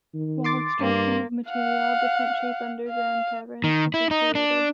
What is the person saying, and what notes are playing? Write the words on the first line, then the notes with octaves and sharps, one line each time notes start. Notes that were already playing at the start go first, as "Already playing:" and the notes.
While extracting of material, different shape underground caverns could be created.
D#3
C6 D6 A6
G2 A#3
F5 F#5
F5
D#3
E4
D#4
D4